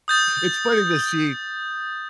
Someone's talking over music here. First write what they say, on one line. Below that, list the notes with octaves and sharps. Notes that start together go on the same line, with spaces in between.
it's funny to see
D#6 G6 A6